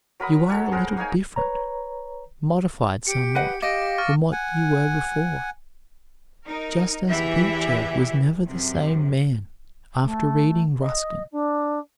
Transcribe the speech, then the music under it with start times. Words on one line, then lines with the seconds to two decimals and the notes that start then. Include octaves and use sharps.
You are a little different,--modified somewhat from what you were before,--just as Beecher was never the same man after reading Ruskin.
0.20 F#3 A#4 B5 D#6
0.48 A4 C#5 F#5
0.72 G#4 A#4 C5 F#5
0.97 A#3 D#4 C#5 G#5
1.36 B4 C#5 A#5
3.07 G4 C#7 D7
3.35 B4 D#5 F#5
3.62 G4 D#5 F5 D6 A#6 D7
3.98 C#6 F6 A6
4.32 F#5 G#5
6.45 D#4 A#4
7.08 E2 E3 E4 G4 E5
8.48 F#2 C3
10.03 A3
10.80 D#5
11.31 D4